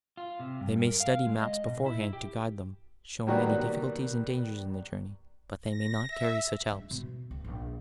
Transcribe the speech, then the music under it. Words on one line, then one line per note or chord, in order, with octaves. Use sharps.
They may study maps beforehand to guide them, showing any difficulties and dangers in the journey, but they may not carry such helps.
F4
C3
G2
A#4
F5
G#3
D#5
B2
E4
G4
A#2 D#3 F#3 G3 A#3 B3
A#6
E5
G#3 D4
B2
C#2
A#1